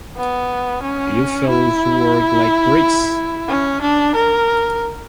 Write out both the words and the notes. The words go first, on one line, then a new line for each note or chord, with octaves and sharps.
You fellows worked like bricks.
B3
C#4
E4
C#4
D4
A#4